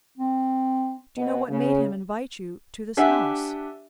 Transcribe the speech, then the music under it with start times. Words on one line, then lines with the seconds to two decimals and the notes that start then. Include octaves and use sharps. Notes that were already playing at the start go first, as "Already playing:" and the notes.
"Do you know what made him invite you to this house?"
0.18 C4
1.17 B2
1.49 C#3
2.97 D4 G4 E5 F#5 G#5